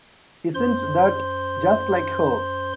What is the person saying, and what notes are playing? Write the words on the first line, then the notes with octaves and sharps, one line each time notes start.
Isn't that just like her?
F#2 C5 C6